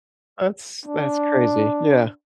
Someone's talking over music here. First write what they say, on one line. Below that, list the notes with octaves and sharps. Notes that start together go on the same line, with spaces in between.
That's that's crazy, yeah.
D4